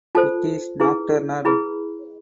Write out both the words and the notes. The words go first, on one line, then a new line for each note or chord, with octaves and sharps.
It is nocturnal.
F4 A4 C5 A5
E4 G#4 B4
E4 G#4 B4 B5